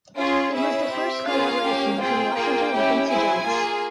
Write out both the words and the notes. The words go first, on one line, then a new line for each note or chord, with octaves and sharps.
It was the first collaboration between Washington and Quincy Jones.
C#4 F4 G#4 C#5
C#4 E4 G#4 E5
C4 G4
A#3 C#4 F4 G#4 F5
A#3 C#4 G4
C4 F4 G#4 G5
A#3 F4 G#4
C#4 E4 G4
C4 E4 G#4 G#5
A#3 F4 G#4